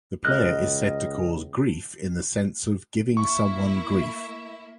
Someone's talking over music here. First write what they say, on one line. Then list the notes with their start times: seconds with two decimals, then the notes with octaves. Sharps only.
The player is said to cause "grief" in the sense of "giving someone grief".
0.25 C#2 D#5 F6 F#6
3.17 A#3 E4 E5 C#6